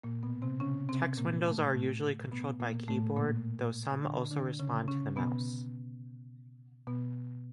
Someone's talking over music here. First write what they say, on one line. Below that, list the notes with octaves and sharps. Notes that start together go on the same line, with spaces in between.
Text windows are usually controlled by keyboard, though some also respond to the mouse.
A#2 A#3
B2 B3
C3 C4
C#3 C#4
C3 C4
A#2 A#3
A2 A3
A2 A3
B2 B3
A#2 A#3
A2 A3
A#2 A#3
D3 D4
D3 D4
C#3 C#4
C#3 C#4
B2 B3
B2 B3